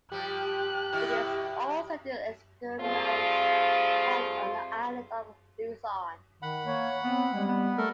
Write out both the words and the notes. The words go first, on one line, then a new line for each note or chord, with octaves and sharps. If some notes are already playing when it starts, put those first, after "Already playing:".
It is also the easternmost point on the Island of Luzon.
F3 G3 G4 F#6
E2 B2 E4
F3 G3 A3 C4 F4 G#4
D#3 F#5 B5
A#3 C#5
B3 C4
G3 G#3
B3
A3 A4 A#4